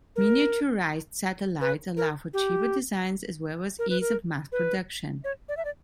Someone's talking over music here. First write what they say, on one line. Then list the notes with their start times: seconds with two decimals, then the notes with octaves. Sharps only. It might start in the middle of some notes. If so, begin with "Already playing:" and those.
Miniaturized satellites allow for cheaper designs as well as ease of mass production.
0.16 A#4
1.61 B4
1.97 A#4
2.33 G4
3.79 A#4
3.89 B4
4.01 A#4
4.52 B4
5.24 C#5
5.49 D5
5.57 E5
5.65 D5